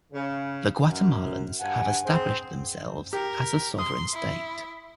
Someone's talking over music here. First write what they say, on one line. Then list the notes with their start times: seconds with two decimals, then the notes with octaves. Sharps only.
The Guatemalans have established themselves as a sovereign state.
0.12 C#3
0.86 F#2
1.60 G2 F#5 G#5
2.05 C4 G#4 C5
3.13 G4 A#4
3.78 C6 D#6
4.13 E4